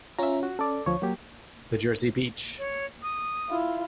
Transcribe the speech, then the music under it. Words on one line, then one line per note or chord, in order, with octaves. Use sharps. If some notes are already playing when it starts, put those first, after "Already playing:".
The Jersey beach!
C#4 F4 E5 A#5
F#4
C#4 A4 D5
D2 F3 C#5
F#3 A#3 G4
C#5
D#6
E4 F4